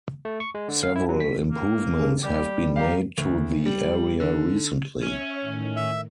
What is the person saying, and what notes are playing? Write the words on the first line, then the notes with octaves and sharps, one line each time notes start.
Several improvements have been made to the area recently.
A3
C#6
G#3
D3
F5
E4
F#3
B6
A#3
G2 G4 G#4 A#4
G3 G4 D6
G4 F5 A#5
D2
G3
D3
C#4 C#5 E5 C#6
A2 D#3
E5